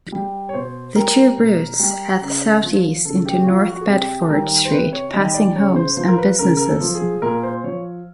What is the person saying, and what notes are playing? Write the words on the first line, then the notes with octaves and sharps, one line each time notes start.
The two routes head southeast onto North Bedford Street, passing homes and businesses.
G3
C#5
B2 C5
G3 A#4
B2
G3
C#3
F3
C#3 A4
G4
F#4
F3 F4
F#4
G#4
C3 G4
A4
D#3 G3 A#4
C5
C3 B4
C#5
D#3 G3 D#5
D5
C#3 C#5
C5
F3 C5
A#4
B4
C#3 A#4
A#4
A4
F3
G#4
A#2 A#4
C5
F3 C#5